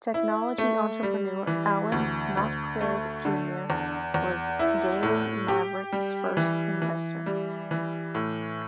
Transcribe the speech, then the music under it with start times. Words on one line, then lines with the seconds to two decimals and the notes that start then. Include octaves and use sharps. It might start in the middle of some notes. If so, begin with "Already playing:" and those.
Technology entrepreneur Alan Knott-Craig Junior was "Daily Maverick"'s first investor.
0.14 E4
0.58 A3
1.03 G3
1.47 E3
1.92 D2
2.37 D2
2.81 A3
3.25 D3
3.70 E2
4.14 E2
4.59 E4
5.03 A2
5.48 G4
5.92 G3
6.37 E3
6.82 E3
7.26 G3
7.71 E3
8.15 A2